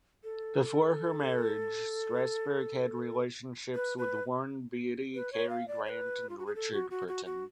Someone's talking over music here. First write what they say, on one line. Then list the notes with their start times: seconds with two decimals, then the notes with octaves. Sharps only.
Before her marriage, Strasberg had relationships with Warren Beatty, Cary Grant, and Richard Burton.
0.24 A4
3.75 B4
3.98 B4
5.15 B4
5.33 C#5
5.49 F5
5.68 D5
5.85 C#5
5.89 B4
6.29 F4
6.38 F#4
6.46 G#4
6.55 A4
6.73 F#4
6.90 F#4
7.08 F#4
7.25 F#4